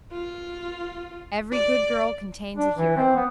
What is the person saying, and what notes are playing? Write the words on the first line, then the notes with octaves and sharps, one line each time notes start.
Every good girl contains a hero.
F4
D5
D4
E3
C4
B3